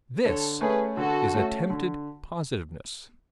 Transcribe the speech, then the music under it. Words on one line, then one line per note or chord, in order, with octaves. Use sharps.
This is attempted positiveness.
D3 A4 C#5
A3 C#4 G#4 B4
D3 F#4 A4
A3 C#4
D3